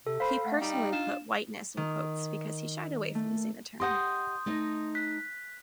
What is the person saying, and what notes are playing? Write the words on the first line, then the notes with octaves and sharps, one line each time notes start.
He personally put "whiteness" in quotes because he shied away from using the term.
C3 A4
C5 F5 B5 B6
A3 F#5
G3 D#4 G5
D4 F4 E7
D#3
A3
G4 D#5 F#5 C6 D#6 G6
A3 D#4 D#5
F#6 B6